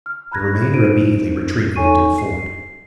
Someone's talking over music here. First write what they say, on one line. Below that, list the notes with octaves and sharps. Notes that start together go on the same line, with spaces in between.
The remainder immediately retreated into the fort.
F6
A#5 B5 F#6 G#6 A#6
D#4 C5 D7 D#7
D#4 A4 C#5 G#5 C#6 D#7
C7